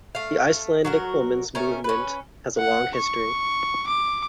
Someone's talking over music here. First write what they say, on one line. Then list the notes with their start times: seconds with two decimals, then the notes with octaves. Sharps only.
The Icelandic women's movement has a long history.
0.15 A3 F5
0.85 F#3 F#4 A#4
1.55 A3 C#4 A#4
1.84 C#4 B4
2.58 F#5
2.96 C#6
3.88 D6